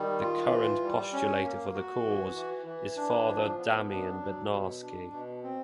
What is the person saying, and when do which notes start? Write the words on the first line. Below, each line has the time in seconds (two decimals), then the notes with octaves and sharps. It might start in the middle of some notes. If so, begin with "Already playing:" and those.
The current postulator for the cause is Father Damian Bednarski.
Already playing: D#3 G3
0.21 F4
0.51 E3
0.82 G3
1.13 C#4
1.43 A#3
1.74 F#4
2.05 E3
2.36 E3
2.66 E3
2.97 D4
3.28 F3
3.58 B3
3.90 D4
4.20 F#3
4.51 B2
4.82 D4
5.12 B2
5.44 C4